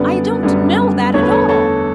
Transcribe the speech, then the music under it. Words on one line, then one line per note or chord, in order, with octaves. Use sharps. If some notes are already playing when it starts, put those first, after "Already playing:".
I don't know that at all!
Already playing: F#2 D3 G3 B3 B4 D5
F#2 D3 G3 B3
E2 D3 A3 C#5
B4
A4 C#5
A4 C#5